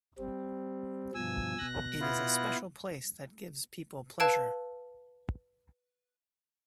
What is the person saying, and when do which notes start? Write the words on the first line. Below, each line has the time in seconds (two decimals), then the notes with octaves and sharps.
It is a special place that gives people pleasure.
0.18 G3 C4
1.15 G2 B2 F3 G#5 E6
1.58 B2 F#6 A#6
2.01 B3 E4 F4
4.20 B4 F5 A5 E6 G#6 D7